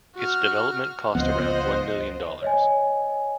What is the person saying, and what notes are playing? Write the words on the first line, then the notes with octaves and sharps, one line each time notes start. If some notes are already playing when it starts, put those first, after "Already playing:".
Its development cost around one million dollars.
F#4 F6
C#2 F3 B3 F4 C5 D#5 F#5
C#5 D#5 G#5